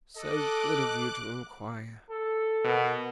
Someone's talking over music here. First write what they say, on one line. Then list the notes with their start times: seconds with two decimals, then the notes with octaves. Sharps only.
So good of you to inquire!
0.17 A4 D#5 D6 F#6
2.10 A4
2.64 B2 A#4 B4 F#5